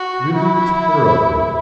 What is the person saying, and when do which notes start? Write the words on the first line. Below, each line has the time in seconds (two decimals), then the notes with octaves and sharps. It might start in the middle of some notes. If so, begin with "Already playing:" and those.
Really terrible.
Already playing: F#4
0.35 E4